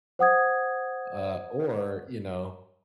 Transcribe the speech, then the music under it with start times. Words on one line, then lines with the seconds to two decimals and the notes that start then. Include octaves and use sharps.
uh, or, you know,
0.19 C5 F#5 D#6 G#6